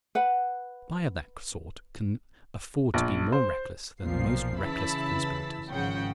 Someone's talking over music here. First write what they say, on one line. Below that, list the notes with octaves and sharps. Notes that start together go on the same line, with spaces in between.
A spy of that sort can afford to be more reckless than the most reckless of conspirators.
B4 F#5
A#1
C5
B1 A#2 F3 C7
C#3 E3 E4 A5 B5
G#1 C#3 F3 F#5 G5